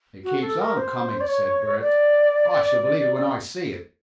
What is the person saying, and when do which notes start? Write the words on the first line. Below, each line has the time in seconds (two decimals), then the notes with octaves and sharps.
"It keeps ON coming," said Bert; "I shall believe when I see it."
0.24 F#4
0.41 A4
0.59 A#4
0.77 C5
1.21 D5
1.28 C#5
1.81 D5